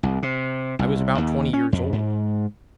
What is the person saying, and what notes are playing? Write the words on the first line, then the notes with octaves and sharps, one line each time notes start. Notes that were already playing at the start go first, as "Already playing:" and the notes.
I was about twenty years old.
C2
C3
C2
D#2
C#4
F2
G#2